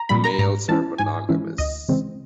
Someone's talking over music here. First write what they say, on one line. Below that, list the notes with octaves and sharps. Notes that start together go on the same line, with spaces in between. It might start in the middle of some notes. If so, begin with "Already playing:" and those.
Males are monogamous.
Already playing: A#5
A#2 G3 A#3 B5
A#5
G#2 A#5
E3 G#3 C#4 E4 A5
G#2 G#5
E3 G#3 C#4 E4
D2 D#5
C#3 E3 G#3 C4